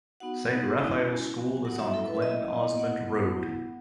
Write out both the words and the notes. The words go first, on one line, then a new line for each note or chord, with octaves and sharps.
Saint Raphael's School is on Glen Osmond Road.
B3 D#4 F#4 F#5
B3 D#4 F#4
G#3 C#4 E4 G#5
G#5
G#3 C#4 E4
F#3 B3 F#4
G#5
F#3 B3 F#4 F#5
E5
F#3 C#4 E4 A4
B4
E5
F#3 C#4 E4 D#5
B3 E4
B3 E4 F#5
B3 E4
B3 E4
B3